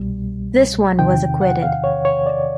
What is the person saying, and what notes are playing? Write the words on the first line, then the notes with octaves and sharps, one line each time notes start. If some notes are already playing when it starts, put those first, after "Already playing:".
This one was acquitted.
Already playing: C2 B2 G3
E2 C3 D#3 G5
F#5
F5
C#5
C#5
D5